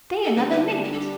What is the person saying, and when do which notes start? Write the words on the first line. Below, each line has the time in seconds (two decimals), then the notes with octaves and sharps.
Stay another minute!
0.25 A4
0.35 D3 G3 D4 B4
0.52 B4
0.69 G4
0.85 G4
0.92 A4
1.00 G4